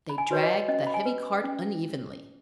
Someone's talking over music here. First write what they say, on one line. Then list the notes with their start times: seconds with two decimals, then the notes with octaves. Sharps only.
They dragged the heavy cart unevenly.
0.10 B5
0.18 G#5
0.31 F#4 B4 C#5
0.43 D#5
0.68 C#4 D#5
0.87 B5
0.94 G#5
1.06 B4
1.44 C#4